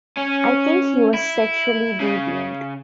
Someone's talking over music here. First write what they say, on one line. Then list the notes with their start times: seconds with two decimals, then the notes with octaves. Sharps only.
I think he was sexually deviant.
0.18 C#4
1.14 E4
2.00 C#3